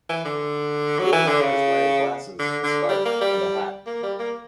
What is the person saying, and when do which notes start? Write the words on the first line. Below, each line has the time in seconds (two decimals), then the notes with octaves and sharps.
The old man is wearing glasses, a scarf, and a hat.
0.09 E3
0.25 D3
0.99 F#3
1.13 E3
1.27 D3
1.41 C#3
2.39 D3
2.64 D3
2.89 G3
3.06 A#3
3.21 G3
3.87 A#3
4.03 G3
4.20 A#3